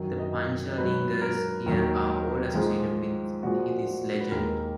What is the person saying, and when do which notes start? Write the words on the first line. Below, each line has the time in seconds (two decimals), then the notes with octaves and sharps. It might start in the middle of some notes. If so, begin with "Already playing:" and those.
The Panchalingas here are all associated with this legend.
Already playing: F#2 D#3 F#3
0.19 D#5
0.78 G#2 F#3 B4
1.22 A#4
1.66 D#2 D#3 F#3
2.55 G#2 F3 G#3
3.43 A#2 F3 G#3 F#4
4.21 B4
4.31 D#2 D#3 G#3 A#4